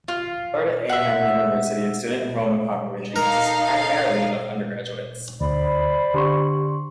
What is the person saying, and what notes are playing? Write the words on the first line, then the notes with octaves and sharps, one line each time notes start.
Florida A and M University student enrollment population consists primarily of undergraduates.
F4
E5 F#5
D#4 A4 A#4 F5
D2 C5 D5 B5
D3 G4 C6 C#6